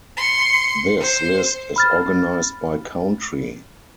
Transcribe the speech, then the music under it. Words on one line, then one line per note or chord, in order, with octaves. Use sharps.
This list is organized by country.
C6 C#7
C5
B5 F6 A6